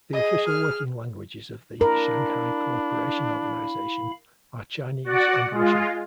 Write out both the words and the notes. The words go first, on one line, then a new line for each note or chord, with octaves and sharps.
The official working languages of the Shanghai Cooperation Organisation are Chinese and Russian.
G#4 D#5
F6
D4 E4 A#4 F5 B5
F#4 D5 F#5
G#3 F4